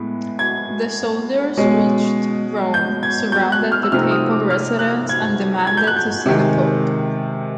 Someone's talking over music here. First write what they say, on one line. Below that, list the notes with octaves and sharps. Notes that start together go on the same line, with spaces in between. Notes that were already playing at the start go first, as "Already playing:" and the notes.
The soldiers reached Rome, surrounded the papal residence, and demanded to see the pope.
Already playing: A2 G#3 B3
G#6
B2 G#3 C#4
G6
G#6
G6
F#6
F6
E6
C3 F3 A3 C4 D#4 F6
D#6
D6
F6
F#6
G#6
G#6
G6
F#6
G6
C3 D#3 G#3